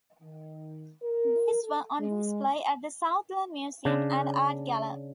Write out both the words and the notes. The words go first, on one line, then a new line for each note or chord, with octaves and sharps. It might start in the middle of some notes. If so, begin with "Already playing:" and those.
These were on display at the Southland Museum and Art Galler.
D#3
A#4
A4
G#3
C#3 D4